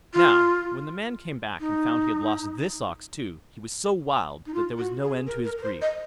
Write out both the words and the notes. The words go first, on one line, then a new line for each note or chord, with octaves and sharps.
Now, when the man came back and found he had lost this ox too, he was so wild that there was no end to his grief.
F4
D#4
D#4
F4
F#4
G#4
A#4
A#4
A#4
C5
D#5